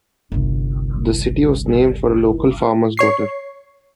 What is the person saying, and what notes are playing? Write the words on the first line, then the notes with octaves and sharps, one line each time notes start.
The city was named for a local farmer's daughter.
G1 C2
C#5 C#6 C7